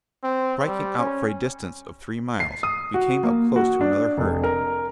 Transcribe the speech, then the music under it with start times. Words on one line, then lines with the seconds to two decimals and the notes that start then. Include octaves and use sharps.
Striking out for a distance of three miles, we came up close to another herd.
0.24 C4
0.67 G3
0.98 C#4
2.40 C7
2.63 D#6
2.94 F#4
3.23 A#3
3.56 F#4
3.81 D4
4.18 F1
4.44 A#4